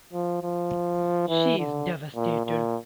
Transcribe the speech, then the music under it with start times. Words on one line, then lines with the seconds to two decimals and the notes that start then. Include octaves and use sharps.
She is devastated.
0.13 F3
0.43 F3
1.29 E3
1.59 D3
2.16 A#2
2.46 A#2